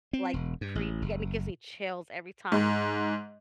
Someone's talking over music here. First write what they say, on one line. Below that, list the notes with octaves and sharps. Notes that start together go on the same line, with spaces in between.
like, creepy, and it gives me chills every time,
C4
E1
G2
A1
F#1
G#2